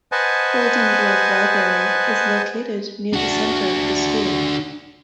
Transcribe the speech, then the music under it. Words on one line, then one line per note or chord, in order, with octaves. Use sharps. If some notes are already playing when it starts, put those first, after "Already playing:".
Golden Grove Library is located near the centre of the school.
B4 C5 D#5 F#5 G#5 A5
D4 F#4